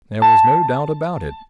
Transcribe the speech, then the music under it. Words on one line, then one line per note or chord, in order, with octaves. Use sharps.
There was no doubt about it.
A5